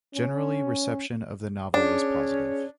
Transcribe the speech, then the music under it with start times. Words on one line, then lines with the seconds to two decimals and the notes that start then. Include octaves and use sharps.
Generally reception of the novel was positive.
0.14 C#4
1.74 C#4 D4 G#4 C#5